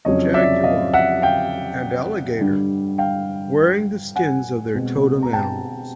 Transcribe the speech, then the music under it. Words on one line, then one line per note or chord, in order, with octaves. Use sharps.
"Jaguar" and "Alligator," wearing the skins of their totem animals.
F2 C#3 F#3 C#5 D#5
D5 E5
D#5 F5
E5 F#5
F5 G5
G2 D3 G3
F5 G5
F#5 G#5
B2 G#3 C4
A#5
G5 A5